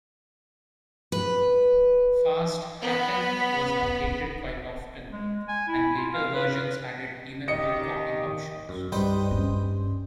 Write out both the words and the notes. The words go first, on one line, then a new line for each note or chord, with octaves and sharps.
"Fast Hack'em" was updated quite often, and later versions added even more copying options.
B4
B3 B5
G#3
G#5
E4
F4
F5
B4
D#3 G4 D#5 C#7
F#2
C2 G2 G3 D#4 B4 C5 G5
G2 C#4